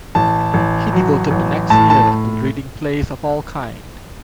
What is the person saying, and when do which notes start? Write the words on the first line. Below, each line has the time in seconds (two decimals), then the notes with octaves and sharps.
He devoted the next year to reading plays of all kind.
0.15 A1 A5
0.54 A1
0.93 F#3
1.31 A1
1.70 A2 A5
1.90 A5